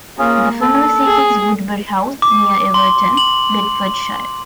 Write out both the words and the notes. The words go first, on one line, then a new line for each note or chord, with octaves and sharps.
The family seat is Woodbury House, near Everton, Bedfordshire.
A#3 C#4 F4 G#4
A4
G#4
D6
C6
F#7